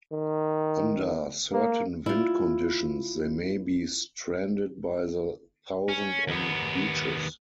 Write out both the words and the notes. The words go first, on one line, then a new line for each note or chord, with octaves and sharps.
Under certain wind conditions, they may be stranded by the thousand on beaches.
D#3
A#3
E4 F4
C#4
D#2 B3